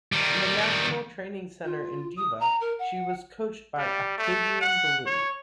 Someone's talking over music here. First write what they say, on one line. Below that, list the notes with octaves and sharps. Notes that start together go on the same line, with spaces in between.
In the national training center in Deva, she was coached by Octavian Belu.
D#3 G3
F4
D#6
A#5
A#4
F#5
G3
A3
F#5
C#5